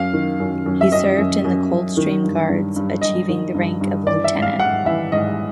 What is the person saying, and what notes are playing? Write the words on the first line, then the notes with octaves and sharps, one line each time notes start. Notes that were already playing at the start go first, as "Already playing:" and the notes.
He served in the Coldstream Guards, achieving the rank of lieutenant.
Already playing: F#2 F5
D#3
F#2
F#2
E5
F#2 D#5
F#2
F#2
F#2
D#3
G2
G2
G2
G2 D#5
D#3
G2
G2
E3 D5
E5
G#2
F5
G#2 F#5
E3 E5
G#2 D#5